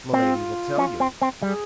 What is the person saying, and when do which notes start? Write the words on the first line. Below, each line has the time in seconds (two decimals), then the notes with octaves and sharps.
"Milady will tell you."
0.12 C4 F4
0.78 C#4
1.00 C4
1.22 C4
1.42 G3 G#4